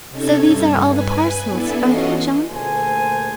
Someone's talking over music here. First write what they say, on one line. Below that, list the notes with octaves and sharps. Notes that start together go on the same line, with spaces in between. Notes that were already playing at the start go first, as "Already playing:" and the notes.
"So these are all the parcels, are they, John?"
C3 C#4 D#4 A4 G#6
G2
B4 G#5
B3 D4 E4 A4
E3 C#4 F4 F#4 D#5 C6
D2 A#2 G#4 A4 C5 G#5